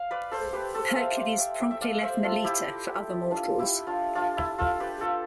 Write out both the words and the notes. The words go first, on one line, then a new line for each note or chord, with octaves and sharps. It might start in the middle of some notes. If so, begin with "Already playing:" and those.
Hercules promptly left Melite for other mortals.
Already playing: F5
B4 D5
A4 C5
G4 B4
A4 C5
F5
C5 E5
D5 F5
E5 G5
E5 G5
E5
D5 F5
C5 E5
F4 A4
E4 G4
D4 F4
E4 G4
D4 F4
D4 F4
E4
F4 A4
G4 B4
F4 A4